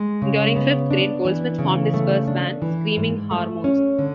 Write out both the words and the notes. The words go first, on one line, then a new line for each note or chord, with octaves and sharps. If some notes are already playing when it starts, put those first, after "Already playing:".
During fifth grade, Goldsmith formed his first band, Screaming Hormones.
Already playing: G#3
C#3
B3
D4
E3
C#3
A3
D4
E3
G#2
A3
C#4
D3